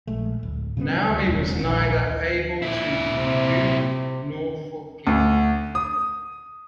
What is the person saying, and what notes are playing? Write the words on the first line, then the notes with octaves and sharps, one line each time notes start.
Naomi was neither able to forgive nor forget.
A#1 G#3 A3
D1
C#3 G3 G#3 B3
D2
E1 E2 C#3 G#3
A#1
A#2 E4
C3
D2
D#6